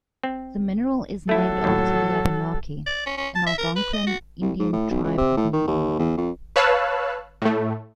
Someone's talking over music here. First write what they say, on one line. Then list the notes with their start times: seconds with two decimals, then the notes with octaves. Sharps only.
The mineral is named after the Abenaki, an Algonquian Indian tribe of New England.
0.24 C4
1.29 F#3 A3 E4 A4
1.64 D#2 A2
2.86 D5
3.06 C#4
3.18 C#4
3.35 A5
3.47 E5
3.58 A#4
3.76 B4
3.93 D#5
4.07 F#4
4.42 C2
4.59 G#2
4.73 A2
4.91 B1
5.04 C#2
5.18 C3
5.37 A2
5.53 D#3
5.67 D#2
5.99 E2
6.17 F2
6.56 B4 C#5 F5 A5 E6 F#6
7.42 A2 A3